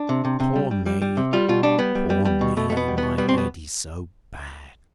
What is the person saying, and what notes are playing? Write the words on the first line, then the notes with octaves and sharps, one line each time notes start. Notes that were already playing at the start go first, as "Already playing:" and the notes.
'Poor me, poor me, my head is so bad.
Already playing: D4
C3
C3
C3
G3
G3
G3
G3
C3
G3 F4
B2 F4
G3 D4
G3 B3
G3
G3
G3
B2
B2 A3
B2 A3
B3
G3
B2 B3
G3 B3
C4
B2 B3